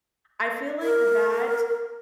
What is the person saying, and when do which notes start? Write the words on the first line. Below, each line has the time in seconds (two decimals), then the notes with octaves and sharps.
I feel like that
0.83 A#4